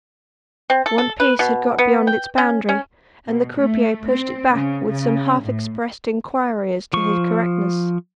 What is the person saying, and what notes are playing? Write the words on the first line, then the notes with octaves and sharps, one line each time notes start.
One piece had got beyond its boundary, and the croupier pushed it back with some half-expressed inquiry as to his correctness.
C4
A4
A4
B4
B2
B3
G5
C#4
C#4
B2
A3
C4
C#3
C#3
A2
F3 C#6